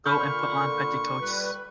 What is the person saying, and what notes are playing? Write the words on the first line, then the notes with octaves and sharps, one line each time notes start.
Go and put on petticoats.
A#2 D3 B5 C#6 F6 G6
G3 B4